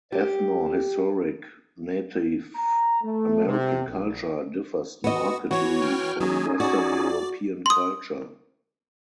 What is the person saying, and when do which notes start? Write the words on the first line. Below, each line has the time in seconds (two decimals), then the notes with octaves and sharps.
Ethnohistoric Native American culture differs markedly from Western European culture.
0.12 G4
2.54 A#5
3.02 A3
3.45 C3
3.86 A#1
5.04 B3 F#4 D#5
5.51 E3 F#4 C#5
5.82 G5 F6
6.20 F#3 C#4 D#4 G#4
6.60 F#4 D5
7.66 C6 D#6